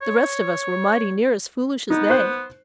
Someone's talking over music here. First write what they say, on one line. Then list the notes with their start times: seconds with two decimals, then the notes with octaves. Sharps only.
The rest of us were mighty near as foolish as they.
0.02 C#5
1.90 B3 D#4
2.10 C5 F#6